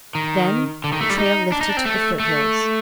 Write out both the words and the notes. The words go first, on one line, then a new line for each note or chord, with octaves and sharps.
Then the trail lifted to the foothills.
D#3
D3
D#3
A3
G3
D#4
D4
D#4
D4
C4
A3
A3